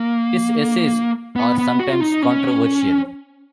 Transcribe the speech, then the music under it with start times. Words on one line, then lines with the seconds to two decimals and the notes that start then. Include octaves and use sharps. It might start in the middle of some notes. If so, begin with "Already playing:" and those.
His essays are sometimes controversial.
Already playing: A#3
1.36 B3
1.58 B3
1.80 F#4
1.92 F4
2.01 D#4
2.23 C#4